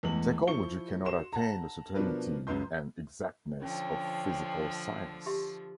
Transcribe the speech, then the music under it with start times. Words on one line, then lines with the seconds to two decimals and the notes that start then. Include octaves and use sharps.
Psychology cannot attain the certainty and exactness of the physical science.
0.03 E2 E3 G#3 A3 F#7
0.47 F3 E4 C#6 C#7 G7
1.05 F#4 C6 E7
1.33 F#5 A5 A#5
1.95 B2 F3 B3 D4 A#4 B4
2.47 C#2 F#2 B4 C6 G6
3.62 D3 F3 C#4 C#5 G5
5.26 G4 E5 C6